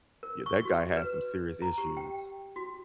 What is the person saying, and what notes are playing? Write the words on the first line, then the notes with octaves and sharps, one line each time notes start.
Yeah, that guy had some serious issues.
A#4
C#6
F#4
B4
A#5
G4
G5
F#4